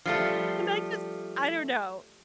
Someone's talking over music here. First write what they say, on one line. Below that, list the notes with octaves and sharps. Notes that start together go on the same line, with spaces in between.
and I just, I don't know.
F3 G3 A3